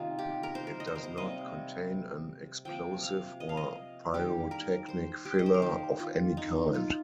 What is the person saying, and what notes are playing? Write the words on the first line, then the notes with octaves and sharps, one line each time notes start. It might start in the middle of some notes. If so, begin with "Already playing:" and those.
It does not contain an explosive or pyrotechnic filler of any kind.
Already playing: C3 D#3 A#3 D#4 F4
G4
A#4
C5
A#4
D#5
C5
A#4
C5
C3 G3 A#3 D#5
C3 F3 A#3 G5
F5
D#5
F5
D#5
D#3 G3 A#3 G4
A#4
C5
G4
D#5
C5
A#4
D#3 A#3 G4
F4
D#4
F4